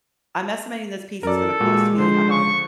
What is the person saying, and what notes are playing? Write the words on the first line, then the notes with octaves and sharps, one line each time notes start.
I'm estimating this piece is gonna cost me about"
F#2 A4 A#4 D5
A#2 G#3 F#4
D3 F3 C5
C#6